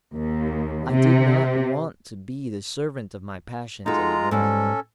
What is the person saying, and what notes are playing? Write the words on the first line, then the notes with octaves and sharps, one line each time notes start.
I did not want to be the servant of my passions any more.
D#2
C3
G#3 D#4 F4 F#4 A4 A#5
G#2 G3 C#4 A4